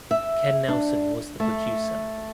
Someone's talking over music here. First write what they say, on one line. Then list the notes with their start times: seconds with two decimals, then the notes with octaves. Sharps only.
Ken Nelson was the producer.
0.11 E5
0.68 D4
1.40 A3